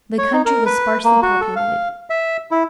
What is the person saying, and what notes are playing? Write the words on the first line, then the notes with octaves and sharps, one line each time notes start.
The country was sparsely populated.
C#5
D#4
A#4
B4
A#3
F#4
A4
F5
E5
E4